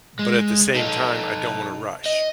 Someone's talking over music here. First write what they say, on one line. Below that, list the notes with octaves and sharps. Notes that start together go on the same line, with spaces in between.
but at the same time, "I don't want to rush."
G#3
D#4 A4
D#5